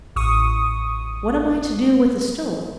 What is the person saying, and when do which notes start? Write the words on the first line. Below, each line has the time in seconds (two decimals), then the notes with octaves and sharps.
"What am I to do with a stone?"
0.16 A1 C#6 D#6